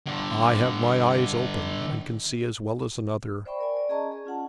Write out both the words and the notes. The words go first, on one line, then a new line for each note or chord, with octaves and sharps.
I have my eyes open and can see as well as another.
G2 D3
C5 D5 E5 G5 B5 C#6
A#4 D5 G#5
D5
C#4 G#4 D#5 A5 A#5 C#6
G#4
C#4 F4 F#5 A5